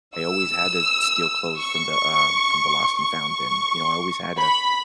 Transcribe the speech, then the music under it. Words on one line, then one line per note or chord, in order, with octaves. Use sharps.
I always had to steal clothes from the, uh from the lost and found bin, you know, I always had a
E6
C#6
C#6
B5